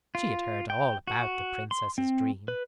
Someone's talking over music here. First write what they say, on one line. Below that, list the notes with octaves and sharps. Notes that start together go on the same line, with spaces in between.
She had heard all about the Princess's dream.
F4
G5
F#4
C6
C4
B4